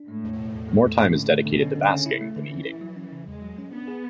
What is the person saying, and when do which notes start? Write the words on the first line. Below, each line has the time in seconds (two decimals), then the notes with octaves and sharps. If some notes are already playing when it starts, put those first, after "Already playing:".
More time is dedicated to basking than eating.
Already playing: D4
0.08 A2 G#3
0.24 E2
0.39 B2
0.55 E2
0.69 G#3
0.84 E2
1.00 C#4
1.15 D3
1.30 A3
1.45 B2 D3
1.60 C#4
1.76 D3
1.90 C#3 C#4
2.06 E4
2.21 A3
2.36 D3 E3
2.51 C#4
2.66 E4
2.81 F#3
2.96 C#4
3.13 C#3
3.27 E2 G#3
3.42 F#3
3.58 C#4
3.73 B3 D4
3.88 G#4